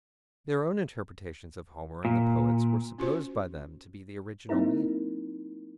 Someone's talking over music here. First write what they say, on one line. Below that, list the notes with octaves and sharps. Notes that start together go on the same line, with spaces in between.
Their own interpretations of Homer and the poets were supposed by them to be the original meaning.
A#2
C#4 F4 F#4 C5
F#3 A#3 C4 D#4 E4 A#4